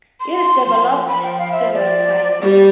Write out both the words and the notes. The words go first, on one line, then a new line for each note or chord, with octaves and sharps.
It is developed several times.
C6
F3
F3 B5
G5
F5
E5
D5
G3